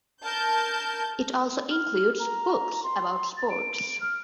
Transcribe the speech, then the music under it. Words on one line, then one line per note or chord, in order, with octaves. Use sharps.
It also includes books about sports.
A#4 A5 G6
F6
A#5
C6
A6
D7
F6